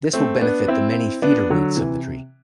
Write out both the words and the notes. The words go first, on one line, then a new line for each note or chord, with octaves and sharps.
This will benefit the many feeder roots of the tree.
A3 C4
B3 D4
C4 E4
B3 D4
D3 F#3
C3 E3